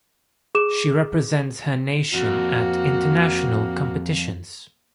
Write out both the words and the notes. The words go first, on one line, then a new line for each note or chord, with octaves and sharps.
She represents her nation at international competitions.
G#4 D6 E7
F2 A#3 F#4